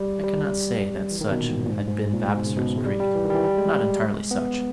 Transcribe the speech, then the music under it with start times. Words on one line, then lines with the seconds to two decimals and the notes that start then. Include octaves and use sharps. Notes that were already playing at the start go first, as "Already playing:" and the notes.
I cannot say that such had been Vavasor's creed,--not entirely such.
Already playing: G3
0.23 G3
1.11 E3
1.21 D#3
1.31 B2
1.39 A#2
1.49 G#2
1.65 A#2
1.69 G#2
1.79 G2
1.88 G#2
2.12 A#2
2.27 G#2
2.37 B2
2.46 C#3
2.57 B2
2.77 G#3
2.86 G3
3.00 G3
3.15 E3
3.25 D#3
3.30 G3
3.34 E3
3.44 G3
3.58 G#3
4.31 B3